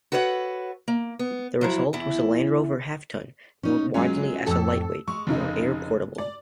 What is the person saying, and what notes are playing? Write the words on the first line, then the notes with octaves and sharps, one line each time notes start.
The result was the Land Rover Half-Ton, known widely as the "Lightweight" or "Airportable".
F#4 A4 B4 C#5 E5 F#5
A#3
B3
F3 F#3 E4
E2 E4
C#4 D#4
F#3 G#3 C#4 F4
F2 A2 A4 E6
G#3 C#6
F1 C#3 D#4
D5